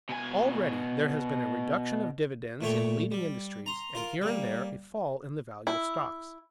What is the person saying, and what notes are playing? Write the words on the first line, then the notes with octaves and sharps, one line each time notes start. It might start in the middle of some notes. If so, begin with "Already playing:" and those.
Already there has been a reduction of dividends in leading industries, and here and there a fall in the value of stocks.
B2 G#5
A#2 A3 C#5 G5
G3
A#5 C6
F4 A#4
G3 A#3
E4